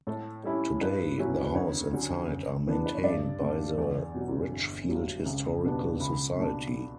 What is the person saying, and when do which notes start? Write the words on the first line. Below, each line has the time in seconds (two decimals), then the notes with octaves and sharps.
Today, the house and site are maintained by the Richfield Historical Society.
0.07 A2 A4
0.44 G3 C#4 E4 A4
0.81 G2 B4
1.18 F#3 C#4 E4
1.44 B4
1.55 D2 C#5
1.93 D3 F#3 C#4
2.30 F#2
2.66 E3 B3 D4
2.86 B4
2.95 C#5
3.04 G2 D5
3.41 D3 A3
3.78 E2
4.15 B2 F#3
4.52 G1
4.89 G2 F#3
5.26 C#2
5.63 B2 G3 B3 D4
6.00 C#2 B5
6.37 B2 A3 D4